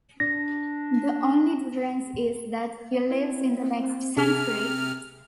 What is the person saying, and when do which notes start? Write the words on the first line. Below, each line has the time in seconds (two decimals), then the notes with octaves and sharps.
The only difference is that he lives in the next century.
0.20 D4 A#6
3.11 C4 E4
4.17 C3 G#4 F6